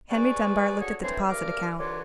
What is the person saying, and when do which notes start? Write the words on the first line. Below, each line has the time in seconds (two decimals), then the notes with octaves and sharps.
Henry Dunbar looked at the deposit account.
0.10 C3 G#4 B4 D5 C#6
0.80 D3 F#4 G#4 C#5
1.02 E3 A3 C4 D4 C5 C#5
1.29 D2 G2 A#4 D6 F6
1.78 C2 D3 E3 F4 C#5 D6